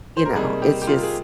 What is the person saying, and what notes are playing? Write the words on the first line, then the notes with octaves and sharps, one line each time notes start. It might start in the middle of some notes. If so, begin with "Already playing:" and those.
You know, it's just
C5
A#4
C3 G3 A#3 D#4 G#4
G4
G4
F4
G#4